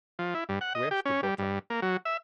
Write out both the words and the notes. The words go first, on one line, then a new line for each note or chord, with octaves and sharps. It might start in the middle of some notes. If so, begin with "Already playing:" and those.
"Where's the butter?"
F3
E4
G2
F#5
D#5
G4
C#4
G3
G2
A#3
F#3
E5